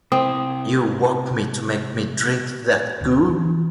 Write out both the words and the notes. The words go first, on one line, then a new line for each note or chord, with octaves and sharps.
You woke me to make me drink that goo.
C3 C4 E4 D#6
D1
E3